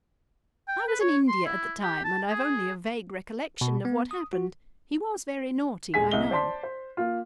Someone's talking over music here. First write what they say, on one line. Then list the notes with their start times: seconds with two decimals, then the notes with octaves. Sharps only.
"I was in India at the time, and I've only a vague recollection of what happened; he was very naughty, I know."
0.68 G5
0.88 B4
1.01 C#5
1.28 C6
1.46 E4
1.82 G4
2.04 A5
2.28 G#4
3.61 B2
3.85 B3
4.11 D#6
4.33 F#4
5.94 D#1 G#3 G#4 G#5 B6
6.11 C2 D#5 G7
6.31 C5 D5 A5 C6 B6
6.63 C5
6.97 A#3 F4